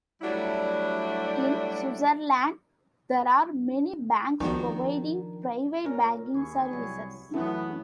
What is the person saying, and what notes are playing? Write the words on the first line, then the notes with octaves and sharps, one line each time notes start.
In Switzerland, there are many banks providing private banking services.
F#3 G3 A3 D4 E4 F#4
C#2 D#3 F3 B3 D4 F#4
A#2 C#4 A#4
D#2 E4 G#4 C#6
C2 F#3 G3
F#2 E3 F#3 A3 B3